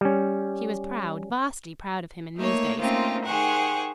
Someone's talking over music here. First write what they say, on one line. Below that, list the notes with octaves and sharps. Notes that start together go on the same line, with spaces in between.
She was proud, vastly proud of him in these days.
G3 C#4
A3 A#3 D#4 C#5
A3 A#3 C4 C#4 D#4 F4
D#3 G4 G#4 C5 F#5 C#6